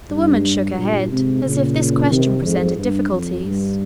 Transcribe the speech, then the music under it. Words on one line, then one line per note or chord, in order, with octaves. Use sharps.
The woman shook her head as if this question presented difficulties.
G2
G2 A#2
G#2 C3
A#2 C#3
C3 D#3
F2 G#2
G2
F2
G2